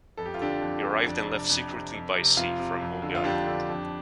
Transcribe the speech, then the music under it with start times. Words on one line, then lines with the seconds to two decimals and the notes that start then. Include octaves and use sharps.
He arrived and left secretly by sea from Holy Island.
0.17 F2 A4
0.26 G4
0.34 F4
0.40 D3 D4 G4
0.61 F2
0.84 D3
1.06 F2 D4
1.27 C3
1.49 F2
1.71 C3
1.94 F2
2.16 C3
2.36 F2 F4
2.60 C3
2.81 F2
3.02 D3
3.15 F4
3.24 F2 D4 G4
3.47 D3
3.69 F2